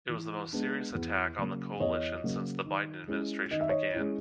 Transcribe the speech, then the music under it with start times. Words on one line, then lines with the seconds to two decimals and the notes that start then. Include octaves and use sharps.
It was the most serious attack on the coalition since the Biden administration began.
0.09 E3
0.53 G#3 B3 D4
0.95 E2
1.37 C#3 F#3 A#3
1.80 E2 C#5 D#5
2.24 C#3 F#3 A#3
2.66 D#3
3.08 G#3 C#4 E4
3.51 D#3 D#5
3.61 E5
3.69 C#5 D#5
3.94 G#3 C#4 E4